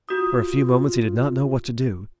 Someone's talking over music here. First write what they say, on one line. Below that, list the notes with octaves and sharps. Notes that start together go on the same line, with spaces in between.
For a few moments he did not know what to do.
F4 F#4 D#6